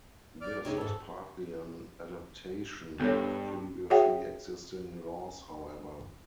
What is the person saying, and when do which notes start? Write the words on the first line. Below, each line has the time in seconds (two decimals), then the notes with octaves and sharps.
This was partly an adaptation of previously existing laws however.
0.41 D5 D6 F6
0.65 C3 G#3 D#4 C#5
0.77 D2 G#2 A4
3.00 C2 G2 B3 A4 C#5
3.90 F#4 G#4 C#5 E5 F#5 G5